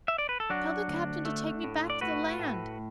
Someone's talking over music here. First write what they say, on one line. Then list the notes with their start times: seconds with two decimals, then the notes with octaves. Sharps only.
Tell the captain to take me back to the land.
0.08 E5
0.18 D5
0.29 B4
0.40 A4
0.50 F#3 D4 F#4
0.88 D2
1.25 A3
1.64 A2
1.90 D5
2.01 A3 F#4 B4
2.39 A2